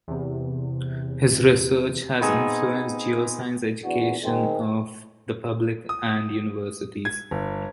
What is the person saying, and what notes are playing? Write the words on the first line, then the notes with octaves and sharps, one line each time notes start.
His research has influenced geoscience education of the public and universities.
E2 C3
B3 C4 D#4 G#4
E2 D4 F#4
D#3 G#3 C4
D#6
G#6
G1